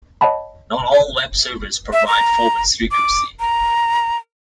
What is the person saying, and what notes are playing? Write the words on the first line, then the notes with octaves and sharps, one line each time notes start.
Not all web servers provide forward secrecy.
C#5 D#5 F#5 A5 B5
E5
A#5
D6
A#5